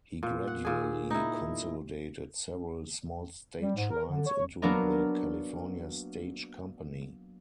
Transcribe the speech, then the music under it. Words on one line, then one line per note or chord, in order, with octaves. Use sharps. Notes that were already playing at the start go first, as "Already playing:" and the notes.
He gradually consolidated several small stage lines into the California Stage Company.
A#2
F#5
A#2 G#4
D#4 E4
G3
G#2
A#4
D3
C#5
F#3 A#3 B3 D4 A#4